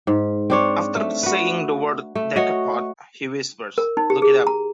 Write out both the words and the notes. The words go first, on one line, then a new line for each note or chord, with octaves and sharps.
After saying the word Decapod, he whispers "look it up".
G#2
C4 D4 C#5
A3
F#4 B4
A3
F#4 C#5 D#5
A#4
D#4
G4
G#4
A#5